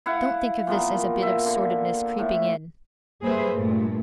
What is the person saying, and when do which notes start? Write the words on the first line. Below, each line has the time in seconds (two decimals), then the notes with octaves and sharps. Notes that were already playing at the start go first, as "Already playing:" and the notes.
Don't think of this as a bit of sordidness creeping in.
0.06 E4 F5 F#5
0.67 A#2 F3 B3 A#4
1.22 E5
1.46 D3
2.18 A2
3.22 G3 A#3 G#4 B4 C5 E5
3.54 G2 A#2 A3